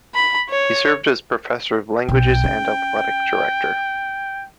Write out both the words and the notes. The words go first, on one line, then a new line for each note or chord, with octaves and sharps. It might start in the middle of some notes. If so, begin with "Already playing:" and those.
He served as Professor of Languages and athletic director.
B5
C#5
B1 G5
C#4